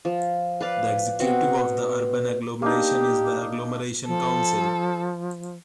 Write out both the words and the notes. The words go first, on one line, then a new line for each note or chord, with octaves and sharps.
The executive of the urban agglomeration is the agglomeration council.
F3
B4 D5 F5
B2 C4 F#4 F#5
A#3 D4 D#4 G4
F3 A4